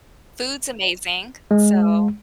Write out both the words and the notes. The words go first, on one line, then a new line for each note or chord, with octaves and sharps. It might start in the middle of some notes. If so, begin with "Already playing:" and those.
Food's amazing, so
G#3